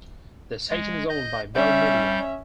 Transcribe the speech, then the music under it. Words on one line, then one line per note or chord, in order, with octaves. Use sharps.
The station is owned by Bell Media.
G#3
D#5 G6
G3 C#4 E5 G6